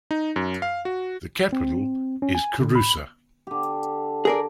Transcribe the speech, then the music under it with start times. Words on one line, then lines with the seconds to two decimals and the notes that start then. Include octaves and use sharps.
The capital is Kouroussa.
0.11 D#4
0.36 F#2
0.62 F5
0.85 F#4
1.53 C4
2.22 C#4
2.35 G#5
2.60 D3
2.75 B5
3.47 D3 G4
4.25 G#4 A#4 D5